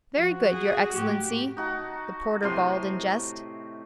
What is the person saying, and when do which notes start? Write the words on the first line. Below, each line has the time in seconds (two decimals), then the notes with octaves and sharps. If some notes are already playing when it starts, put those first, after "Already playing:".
"Very good, your Excellency!" the porter bawled in jest.
0.17 F3 F#4
0.52 G#4
0.93 A2 G4
1.57 D#4 F#4 A5
2.43 A2 C3 C6